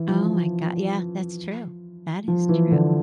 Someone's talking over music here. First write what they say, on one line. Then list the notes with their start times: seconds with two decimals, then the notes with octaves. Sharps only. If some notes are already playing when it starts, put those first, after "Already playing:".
Oh my go yeah, that's true. That is true.
Already playing: E3
0.08 F3
2.28 F3
2.49 E3
2.72 D3